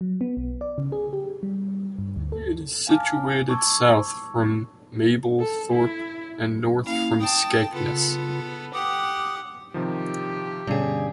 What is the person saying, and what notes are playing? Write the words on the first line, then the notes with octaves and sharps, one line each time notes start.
It is situated south from Mablethorpe and north from Skegness.
F#3
B3
B1
D5
C#3
G#4
G4
G3
G2
D2
A4
F5 G#5 A5 D6 F6
A5 C#6 D6 E6 G#6
A4
E4
A#3 C#4 E4 F5
G5 A5 D#6
C#3 B3 F4 A4
G4 F#5 D6 D#6
C3 D#3 F3 G4
G2 B2 D3 C#4 G#4